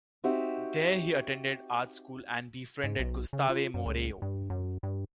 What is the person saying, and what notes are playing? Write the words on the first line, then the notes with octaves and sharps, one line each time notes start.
There he attended art school and befriended Gustave Moreau.
C4 D#4 F#4 G4 E5
G#2
B1
C#3
F4
F#2
C#2
G2
F#2
G2